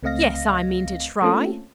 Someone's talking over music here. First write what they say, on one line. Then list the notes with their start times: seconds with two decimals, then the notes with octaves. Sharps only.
"Yes; I mean to try."
0.03 C#2 A3 C4 D#5 F5 A#6
1.22 A3 A#3 C4 C#4 F4 A4